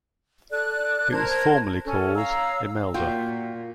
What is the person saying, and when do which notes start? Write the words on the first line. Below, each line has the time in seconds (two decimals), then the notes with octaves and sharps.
It was formerly called Imelda.
0.51 A4 D5 F#6
1.11 A#4 C5 A5 G#6
1.84 C#4 A4
2.15 C#5 F5 A#5 E6
2.94 A#2 F4 F#4 G5